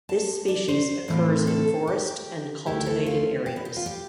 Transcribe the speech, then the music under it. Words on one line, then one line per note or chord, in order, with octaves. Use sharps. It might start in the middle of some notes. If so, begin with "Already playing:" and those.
This species occurs in forest and cultivated areas.
A5
D5
C5
A2 E3 A3 C4 F4
A4
G4
D2 D3 A3 E4 G4
A4
F4
G4
B4
G4
F4
G4